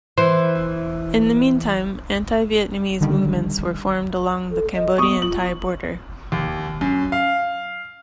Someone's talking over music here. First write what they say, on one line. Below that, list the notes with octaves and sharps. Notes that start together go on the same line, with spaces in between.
In the meantime, anti-Vietnamese movements were formed along the Cambodian-Thai border.
E3 C5
D3 D#3 G3
A4
D#5
B3 C#6 D#6
F4 F#7
D#2
F#2
F5